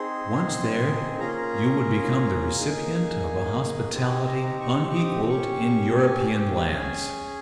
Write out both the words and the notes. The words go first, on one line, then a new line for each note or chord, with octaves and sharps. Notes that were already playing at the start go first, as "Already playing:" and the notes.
Once there, you would become the recipient of a hospitality, unequalled in European lands.
Already playing: C4 D#4 G#4 C6
A#3 C#4 F4 G#4 A#5
C6
A#5
A#3 D#4 G#4 G#5
C4 D#4 G4 G#5
G#5
A#5
A#5
C#6
C#6
D#6
C#4 G4 C#6
G#5
G5
G5
C#4 G#4 G#5